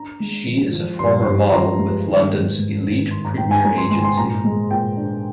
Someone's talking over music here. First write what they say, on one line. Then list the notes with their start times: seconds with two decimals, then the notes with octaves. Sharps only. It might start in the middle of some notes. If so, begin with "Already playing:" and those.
She is a former model with London's Elite Premier agency.
Already playing: D4 A#5
0.20 G#3
0.46 F3
0.73 F3
0.99 G2 C6
1.26 G2
1.52 F3 A#5
1.79 G#3
2.05 D#3
2.32 G#2
2.58 G#2
2.85 D#3
3.11 D#3 C6
3.25 A#5
3.38 G#2 G5
3.51 G#5
3.64 G#3 A#5
3.78 C6
3.91 G#2 C6
4.04 C6
4.18 A#2 A#5
4.44 G#3
4.70 A#2 G5
4.97 D4